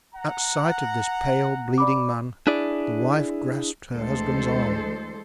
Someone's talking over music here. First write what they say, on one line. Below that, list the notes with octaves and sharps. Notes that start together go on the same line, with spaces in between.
At sight of this pale, bleeding man, the wife grasped her husband's arm.
F#5 A#5
D5 B5 D6
D4 E4 G#4 D5
D2 E3 G#3 A4 C5